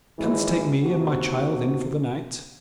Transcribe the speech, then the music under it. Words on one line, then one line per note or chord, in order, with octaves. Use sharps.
"Canst take me and my child in for the night?"
G#1 E3 G#3
D#2 C3 F#4